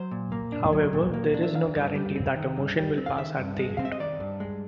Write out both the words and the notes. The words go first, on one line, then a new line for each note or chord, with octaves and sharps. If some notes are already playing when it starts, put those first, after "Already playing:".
However, there is no guarantee that a motion will pass at the end.
Already playing: F#3 C5
A#2
A#3
D4
F#3
A#2
A#3
D4
E5
D#3 F5
G2
G3
C4
D#3
G2
G3
C4
F5
D#3 E5
G2
G#3
C4 F5
E5
D#5
D#3 D5
G2
G#3